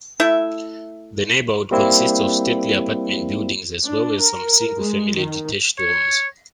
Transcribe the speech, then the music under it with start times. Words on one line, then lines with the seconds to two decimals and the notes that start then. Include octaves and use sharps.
The neighborhood consists of stately apartment buildings as well as some single-family detached homes.
0.20 A3 E4 E5
1.71 G3 A#3 C4 E4
3.84 D4
4.19 A#4
4.77 G#3
5.17 D#3
5.78 C#5